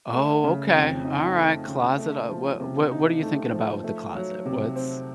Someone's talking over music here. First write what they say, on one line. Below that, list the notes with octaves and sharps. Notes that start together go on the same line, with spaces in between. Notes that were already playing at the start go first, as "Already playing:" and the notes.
Oh, okay, alright, closet. Uh, wha wha what are you thinking about with the closet? What's
A3
C#3
F2
D#4
A3
C#3
A3
F3
C3
D#4
A3
F3
A3
F#3
C3
C4